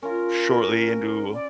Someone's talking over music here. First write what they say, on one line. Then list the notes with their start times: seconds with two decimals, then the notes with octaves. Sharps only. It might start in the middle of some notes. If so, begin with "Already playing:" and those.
shortly into
0.03 C#4 F4 A#4
1.34 D5